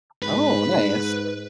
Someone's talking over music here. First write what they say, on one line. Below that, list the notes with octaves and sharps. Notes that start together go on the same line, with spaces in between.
Oh, nice.
G#2 B4